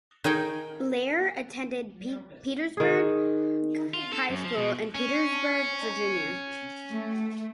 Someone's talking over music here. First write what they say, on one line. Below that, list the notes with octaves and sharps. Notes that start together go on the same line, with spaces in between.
Blair attended Petersburg High School in Petersburg, Virginia.
D#3 D#4 G#4 G5
D#3 G#4
F4
A4
F#2
F3
B2
C#4
A3